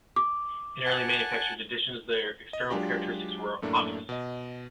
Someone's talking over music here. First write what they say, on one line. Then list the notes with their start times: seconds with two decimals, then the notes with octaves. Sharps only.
In earlier manufactured editions the external characteristics were obvious.
0.16 D6
0.86 F#5 G#5 A5
2.53 D#5
2.70 F#3 G#3 D4 F4 G4
3.62 F#2 A2 A3 A#3 D4
4.09 B2 D#5